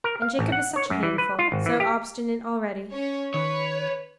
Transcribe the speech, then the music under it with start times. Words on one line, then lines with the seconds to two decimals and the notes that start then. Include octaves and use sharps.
And Jacob is such a handful; so obstinate already.
0.04 A#4
0.22 F5
0.39 A1
0.52 F#5
0.76 C#5
0.90 F#2
1.03 E3
1.18 B4
1.39 F4
1.52 G#1
1.66 E3
1.80 G4
2.93 C#4 C#5
3.34 D#3 B4 C#5